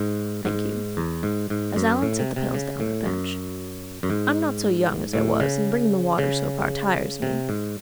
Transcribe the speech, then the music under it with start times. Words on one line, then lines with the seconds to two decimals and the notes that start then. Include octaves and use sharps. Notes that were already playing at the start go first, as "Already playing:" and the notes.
Thank you"--as Alan set the pails down on a bench--"I'm not so young as I was and bringing the water so far tires me.
Already playing: G#2
0.45 G#2
0.97 E2
1.23 G#2
1.50 G#2
1.76 F#2
2.02 A2
2.19 C3
2.36 C3
2.54 C#3
2.80 A2
3.06 F#2
4.03 F#2
4.10 G#2
5.13 A2
5.40 C#3
6.18 C#3
7.22 C3
7.49 G#2